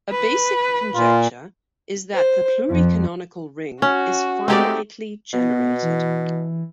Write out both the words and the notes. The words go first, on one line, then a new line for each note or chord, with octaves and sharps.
A basic conjecture is that the pluricanonical ring is finitely generated.
B4
A#2 F4
C5
F2
C#4 F#4
G#3 A3 C4 D#4 G4 D5
B2 B3
E3